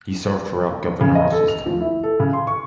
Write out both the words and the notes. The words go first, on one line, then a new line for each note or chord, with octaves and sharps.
He served throughout Governor Ross's term.
C#3
D#5
A4
F7
F3
E4
A4
C#3
C6
C#6